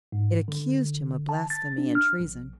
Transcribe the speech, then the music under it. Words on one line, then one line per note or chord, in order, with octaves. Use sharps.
It accused Him of blasphemy and treason.
G#2
D3
A5
A6
D4
F6
A#1